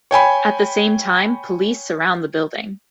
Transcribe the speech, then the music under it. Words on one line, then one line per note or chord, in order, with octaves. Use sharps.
At the same time, police surround the building.
C#5 G5 G#5 B5